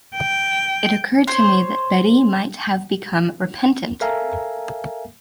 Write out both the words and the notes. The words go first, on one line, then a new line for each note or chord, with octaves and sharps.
It occurred to me that Betty might have become repentant.
G5
C5 C#5
A4 A#4 E5 F5 G#5 A#5